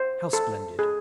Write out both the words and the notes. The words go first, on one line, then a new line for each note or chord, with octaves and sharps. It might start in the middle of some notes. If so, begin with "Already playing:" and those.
"How splendid!"
Already playing: C5
A4
G#4